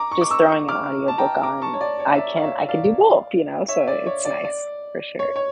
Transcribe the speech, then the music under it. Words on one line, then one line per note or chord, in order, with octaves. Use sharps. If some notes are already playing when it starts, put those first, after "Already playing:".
just throwing an audiobook on, I can I can do both, you know, so it's nice, for sure.
Already playing: A#5 D6
C#6
D6
C#6 E6
D6 F6
A5
G5 A#5
A#5 D6
A5 C#6
C#5
D5
C#5
E5
D5
F5
C#5 E5
D5 F5
C#5 E5
D5
C#5
D5
D5
C#5
C#5